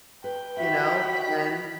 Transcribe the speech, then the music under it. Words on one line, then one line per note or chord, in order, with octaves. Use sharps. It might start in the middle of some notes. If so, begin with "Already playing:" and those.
you know? And,
B4 G5
F#4 G4 E5 B5 B6